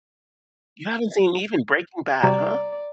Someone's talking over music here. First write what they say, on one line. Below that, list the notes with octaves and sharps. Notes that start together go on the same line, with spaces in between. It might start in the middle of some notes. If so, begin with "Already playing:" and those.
You haven't seen even Breaking Bad, huh?
C3 G3 F#4 D5 A#5